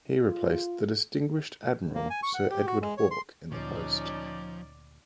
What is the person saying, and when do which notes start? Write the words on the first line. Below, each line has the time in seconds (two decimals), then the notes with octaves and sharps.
He replaced the distinguished Admiral Sir Edward Hawke in the post.
0.20 F4
1.95 A#3
2.10 G#5
2.23 C#6
2.34 F#5
2.50 G4
2.66 F#4
2.82 G#3
2.97 C#5
3.11 C6
3.52 D2 A#2 F3 C#4 D#4 D5